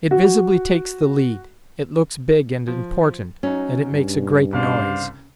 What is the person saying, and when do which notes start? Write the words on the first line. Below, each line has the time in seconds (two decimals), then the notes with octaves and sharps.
It visibly takes the lead, it looks big and important, and it makes a great noise.
0.11 F#4
2.67 F3
3.43 F#3 C#4 D#4
3.92 G2
4.53 C2 C#3 C5 D5 F5